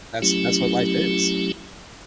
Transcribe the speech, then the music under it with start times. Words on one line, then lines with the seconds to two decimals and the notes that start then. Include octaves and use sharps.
that's that's what life is.
0.22 F#3 A3 C#4 E4 G4